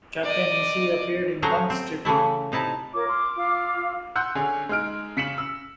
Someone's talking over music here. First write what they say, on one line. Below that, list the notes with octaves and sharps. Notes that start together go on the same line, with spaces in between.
Captain Easy appeared in one strip.
D5 D#5
F#3 A3 C#4 G#4 A#4 C5
C4
C#3 E3 A3 E4
C3 D#4 E4 A5
F4 A#4 C#5 D6
C6 D#6 F6
F4 F5 E6
F#5 C6 E6 F#6 G6
D3 C#4 G#4
G#3 D#4 F6 D7
C#3 B6 C#7 E7 F#7
E6